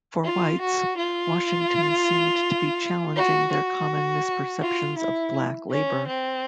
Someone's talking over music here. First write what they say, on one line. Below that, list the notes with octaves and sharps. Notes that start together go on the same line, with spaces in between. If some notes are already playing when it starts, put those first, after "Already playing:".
For whites, Washington seemed to be challenging their common misperceptions of black labor.
F4
F#4
F4
F#4
F#4
F4
E4
C#4
C4